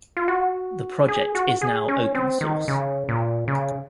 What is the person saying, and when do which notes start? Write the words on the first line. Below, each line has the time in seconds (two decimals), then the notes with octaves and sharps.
The project is now open source.
0.17 F4
0.28 F#4
1.08 G#4
1.35 F#4
1.62 G#4
1.89 C#4
2.15 C4
2.41 D#3
2.68 C#3
3.09 A#2
3.48 C#3